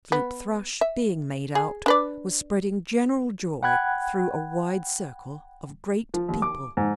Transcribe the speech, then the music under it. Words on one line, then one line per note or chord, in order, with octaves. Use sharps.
Sloop Thrush being made out was spreading general joy through a wide circle of great people.
B3
E5
G#4
D4 B4 D5
F#5 G5 B5 F#6 G#6
F3
D#2
D6
G#2